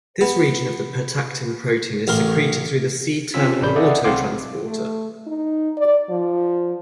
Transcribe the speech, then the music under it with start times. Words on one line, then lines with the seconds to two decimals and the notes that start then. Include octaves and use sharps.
This region of the pertactin protein is secreted through the C-terminal autotransporter.
0.21 B3
2.08 A1 A#4 C6
3.34 C4 C#4 F4 E6 B6
3.62 A1 A#4 D5 B5 G6
3.75 E4 A4 D5 D#5 F#5
4.04 B1 C4 F5 F#5 C6 D6
4.66 A3
5.27 D#4
5.77 D5
6.09 F3